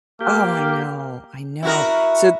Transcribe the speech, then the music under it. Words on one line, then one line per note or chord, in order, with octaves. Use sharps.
Oh, I know, I know, so
A#3 G4 G5 D6 F6
E4 F#4 A#4